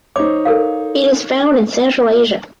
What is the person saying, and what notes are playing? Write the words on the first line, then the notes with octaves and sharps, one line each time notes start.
It is found in Central Asia.
D#4 C5 C#5 D6
A4 A#4 F5